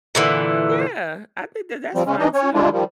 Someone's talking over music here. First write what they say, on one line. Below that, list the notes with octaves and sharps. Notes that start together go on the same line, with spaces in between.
Yeah, I think that that's fine too.
A#2 D3 E3
F3 G3 C4
C#3 G#3 C#4
E3 D4 D#4 D#5
C#4 C#5
G3 G#3 D4 E4 F4
D#3 F3 G3